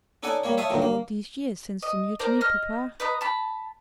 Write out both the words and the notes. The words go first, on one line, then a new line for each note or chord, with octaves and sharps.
'All these years since the mutiny, papa?'
C#4 D#4 A4 D5 F#5 G#5
G3 A#3 C#5
C#5 E5 F5 A5 D#6
G2 A#2 D3 D#3 F#3
A#3
D#5
A#4 C5 D5 A#5
D#5 F6
B4 D#5 A#5
A5 B5